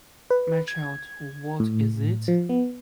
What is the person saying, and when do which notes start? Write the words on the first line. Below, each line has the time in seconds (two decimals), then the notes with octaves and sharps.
My child, what is it?
0.31 B4
0.68 G#6
1.60 A2
2.28 F3
2.49 B3